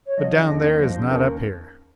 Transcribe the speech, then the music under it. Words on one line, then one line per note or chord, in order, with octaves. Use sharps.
But down there is not up here.
C#5
F3 D#5
C#3
D#2
D#2
F3 C5
C#3
D#2 A#4